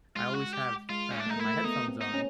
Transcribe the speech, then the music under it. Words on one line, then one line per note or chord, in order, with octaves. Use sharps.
I always have, uh, my headphones on,
G#3 F4
F#4
G4
G#3 F4
C#4
D4
A3 D#4
A#3 E4
A3
B3 D#4
C4
D#4
C#4